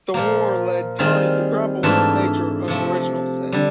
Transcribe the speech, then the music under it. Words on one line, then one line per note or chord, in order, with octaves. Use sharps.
The war led Tawney to grapple with the nature of original sin.
A#2 F3 A#3
D#3 G3 C4 F4 G#4
G#2 E3 A3 D4 F4
C3 F3 A3
D3 G3